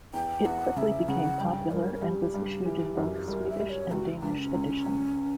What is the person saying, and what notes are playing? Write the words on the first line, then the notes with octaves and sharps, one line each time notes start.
It quickly became popular and was issued in both Swedish and Danish editions.
E2 G5
E2 F#5
C#3 E5
C#3 F#5
G2 G5
G2 A#4
A#4
G3 G4
G2
E3
F#2
G3 A#4
E5
G3
C#5
C#2 F#4
C#2 D4
C#4
C#2
C#2